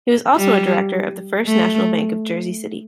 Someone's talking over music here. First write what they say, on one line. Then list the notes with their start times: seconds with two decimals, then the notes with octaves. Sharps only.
He was also a director of the First National Bank of Jersey City.
0.37 G3
1.47 A3